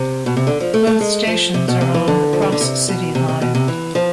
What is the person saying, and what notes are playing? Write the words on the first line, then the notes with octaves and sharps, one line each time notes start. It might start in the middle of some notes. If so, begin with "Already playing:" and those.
Both stations are on the Cross-City Line.
Already playing: C3
B2
C3
D3
F3
A3
A3
G#3
F3
C3
B2
C3
E3
D3
F3
E3
D3
C3
B2
C3
C3
B2
C3
E3
F3